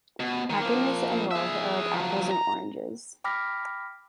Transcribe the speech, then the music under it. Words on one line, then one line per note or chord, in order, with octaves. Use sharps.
Happiness and wealth are like apples and oranges.
B2
D#3
F3 A#3
G#4 E5
F3 F#3
A#5
G5 B5 D6 F6 A#6 B6